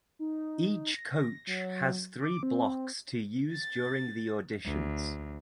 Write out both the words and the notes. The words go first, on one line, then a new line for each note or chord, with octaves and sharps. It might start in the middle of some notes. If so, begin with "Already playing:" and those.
Each coach has three blocks to use during the auditions.
D#4
A#6
F#3
D6
C4
A6
D2